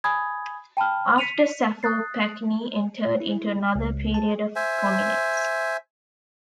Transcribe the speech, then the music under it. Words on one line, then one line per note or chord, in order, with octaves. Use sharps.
After "Saffo", Pacini entered into another period of prominence.
G#5 B5 D#6 G#6
G5 A5 B5 F6
B6 C#7 D#7 F7
D#6 F#6 A6 C7
E4
C#2
A5
C5 E5 G#5